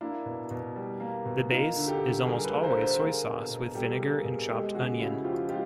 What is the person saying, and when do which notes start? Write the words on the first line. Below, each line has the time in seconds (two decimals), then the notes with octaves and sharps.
The base is almost always soy sauce with vinegar and chopped onion.
0.01 A#3 D4 E4
0.26 B2
0.51 B2
0.76 G3
1.00 A#3
1.25 B2
1.50 A#3 D#4 F4
1.76 D3
1.88 G4 A4
2.01 D3
2.26 G3 G#4 A#4
2.44 A4 B4
2.50 A#3
2.63 A#4 C5
2.75 D3
2.82 A#4 C5
3.00 A#3 G#4 A#4
3.25 B2
3.50 B2
3.75 G3 G4 A4
4.00 A#3 G#4 A#4
4.25 B2 G#4 A#4
4.49 G#3 G4 A4
4.75 C#3 F#4 G#4
5.00 C#3 E4 F#4
5.24 F3 F4 G4
5.49 G#3 F4 G4